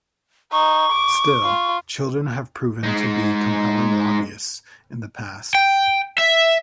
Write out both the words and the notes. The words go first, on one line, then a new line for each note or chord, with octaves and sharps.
Still, children have proven to be compelling lobbyists in the past.
D#4 C#6
D6
F4
G#3 D#4
G5
E5